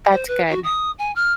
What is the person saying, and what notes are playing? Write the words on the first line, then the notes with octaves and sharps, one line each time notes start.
That's good.
C5
B4
F#4
D#6
G#5
F6